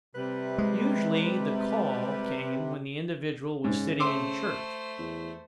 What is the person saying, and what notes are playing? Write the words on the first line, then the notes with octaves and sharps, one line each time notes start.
Usually the "call" came when the individual was sitting in church.
C3 G3 B4
G#3
G#2 C#3
A3 C5 C6 D6 E6
E2